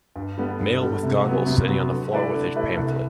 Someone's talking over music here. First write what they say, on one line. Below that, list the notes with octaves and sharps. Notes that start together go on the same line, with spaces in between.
Male with goggles sitting on the floor with a pamphlet.
G2
D3 G3 B3
G2
D3 G3 B3
C3
F#3 B3
C3
F#3 B3
D3
A3 E4 B4 D5
D3
A3 E4 B4 D5
C2